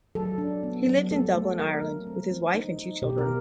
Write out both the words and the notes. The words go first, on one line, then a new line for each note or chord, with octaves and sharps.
He lived in Dublin, Ireland with his wife and two children.
F#3 A4
D4
B3
F#3
A3 A4
A3
A3 A#4
A3
C4
C4
D#4
D#4
B2 G4
A#4